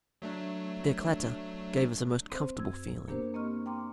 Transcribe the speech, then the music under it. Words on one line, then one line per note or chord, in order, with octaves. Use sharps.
Their clatter gave us a most comfortable feeling.
F#3 A3 D4
C4 C5
F#2 E6 G#6
A#3 B3 D4 G4 A#4 C5
A#3 C4 D#5 C#6 F6
G5 A#5 C6 D6